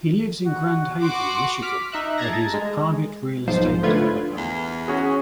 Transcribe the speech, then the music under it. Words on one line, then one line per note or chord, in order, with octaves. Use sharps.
He lives in Grand Haven, Michigan where he is a private real estate developer.
F#4
F#4 C6 D6
D6 F6 B6
D#4 E5 F#6
A5 A#5 G#6 A#6
G#3
B1 G#2 F3 C5
D3 A3 F4 B4 G#6
E2
C#4 F#4 G#4